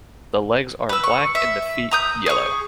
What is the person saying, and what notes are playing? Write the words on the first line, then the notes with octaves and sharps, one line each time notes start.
The legs are black and the feet yellow.
B4 E6
C#6
E5
A#5 D#6 G6
G#4 C#6